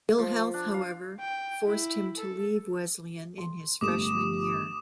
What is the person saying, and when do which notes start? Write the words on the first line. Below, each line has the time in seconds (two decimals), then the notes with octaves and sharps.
Ill health, however, forced him to leave Wesleyan in his freshman year.
0.18 F3
0.54 D4
0.74 F5
1.19 G5
1.66 E4
2.17 A4
3.38 C6
3.81 G1 G2 A3 D6 D#6 E7